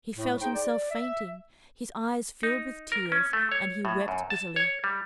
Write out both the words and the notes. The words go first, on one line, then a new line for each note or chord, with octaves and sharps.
He felt himself fainting, his eyes filled with tears, and he wept bitterly.
A2 A3
D#4 G#4 C5 G5
D5
E5
D#4
A#4
C#4
A3
C#5
A2
F#2
A5
C#5
G3